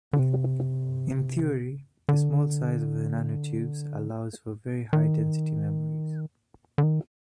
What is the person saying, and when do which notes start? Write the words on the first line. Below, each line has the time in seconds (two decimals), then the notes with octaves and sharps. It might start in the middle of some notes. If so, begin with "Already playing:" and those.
In theory, the small size of the nanotubes allows for very high density memories.
0.13 D3
0.19 C3
2.09 D3
4.93 D#3
6.78 D3
6.83 D#3